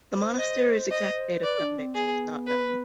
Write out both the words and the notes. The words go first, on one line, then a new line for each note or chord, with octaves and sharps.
The monastery's exact date of foundation is not known.
C5
D#5
D#5
B4 D5
D4
C4
B3 G#4
B4